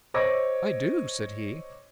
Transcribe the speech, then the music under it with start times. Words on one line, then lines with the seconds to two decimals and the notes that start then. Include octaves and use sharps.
"I do," said he.
0.14 C5 C#5 D#5 D6 E6 A#6